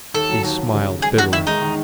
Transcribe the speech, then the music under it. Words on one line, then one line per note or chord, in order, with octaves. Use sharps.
He smiled bitterly.
D#2 A4
F#3
D#2
D#2
C#3
D#2
G#3 G#4
E2 F#4
D#3 E4
G#3 D#4
D#3